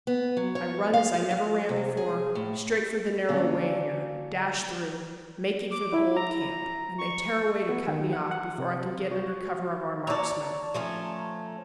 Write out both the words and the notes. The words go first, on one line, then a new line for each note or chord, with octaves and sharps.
I run as I never ran before, straight for the narrow way here, dash through, making for the old camp, and they tear away to cut me off before I can get under cover of our marksmen.
B3
F#3
C#5
F5
F4
F4
C3
G#4
A2
D3 A#3 C#4 F#4 D5 F5
D6
E4
A#5
C#6
B3
D#3
F#5
F#5
C3
F#4
C#5 D5 A5 A#5
F3 A3 C#4